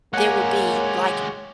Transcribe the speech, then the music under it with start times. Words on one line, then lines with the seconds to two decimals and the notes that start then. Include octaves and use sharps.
there would be, like,
0.14 G#3 A#3 G4 C#5 F#5 G#5